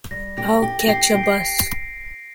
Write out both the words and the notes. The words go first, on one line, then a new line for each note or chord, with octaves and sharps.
I'll catch a bus.
G3 A#6
G4 A#6
G4
A#6
G4 C7
D7
G4
C7